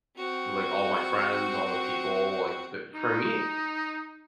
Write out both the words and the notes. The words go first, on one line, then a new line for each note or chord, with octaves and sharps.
like all my friends, all the people, like th for me
C4 F#4
D#4